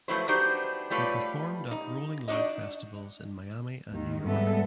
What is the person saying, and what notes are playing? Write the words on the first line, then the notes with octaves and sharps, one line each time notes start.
He performed at Rolling Loud Festivals in Miami and New York.
F3 F#3 A3 E4 B4 C5
B3 D4 D#4 F#4 G4 C5
G3 A3 F4 B4 C#5 D5
D#4
D4 D#4 F#4 D#5
D#2 D#3
G#2 G3 G#3 B3 A4 E5